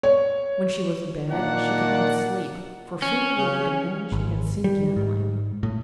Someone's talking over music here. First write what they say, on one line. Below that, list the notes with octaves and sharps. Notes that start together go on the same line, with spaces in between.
When she was abed she could not sleep for fear of the wicked men she had seen gambling.
C#5
A#2 D#3 A#3 D4 D5 F#5
C#4
C#3
G#1
G3
G#2
A2